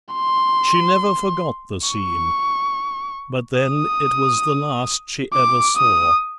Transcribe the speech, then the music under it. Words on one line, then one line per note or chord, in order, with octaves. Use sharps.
She never forgot the scene; but then, it was the last she ever saw.
C6
C#6
D#6
D6
D#6